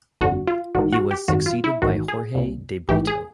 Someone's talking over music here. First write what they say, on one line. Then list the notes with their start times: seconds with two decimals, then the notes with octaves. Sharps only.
He was succeeded by Jorge de Brito.
0.21 G1 F2 D3 F#4
0.47 F4
0.75 A1 G#2 D#3 F#4
0.93 F#4
1.11 G4
1.28 G#1 F#2 D#3 F#4
1.46 F4
1.64 E4
1.82 A1 G#2 D#3 F#4
2.08 G#4
2.35 C2 A#2
2.89 A1 G#2 E3 G4
3.07 G#4